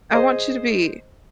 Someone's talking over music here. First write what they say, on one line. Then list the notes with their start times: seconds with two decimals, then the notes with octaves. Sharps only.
I want you to be,
0.13 G#4 C5 D#5